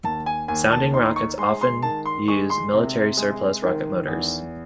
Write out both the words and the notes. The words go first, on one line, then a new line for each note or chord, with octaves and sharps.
Sounding rockets often use military surplus rocket motors.
D#2 A5
G#5
D#2 G#5
A5
D#4 C6
C#6
G#3 C6
C6
D#3 A5
C6
G#3 C#6
C6
C3
G#3
D#3
E2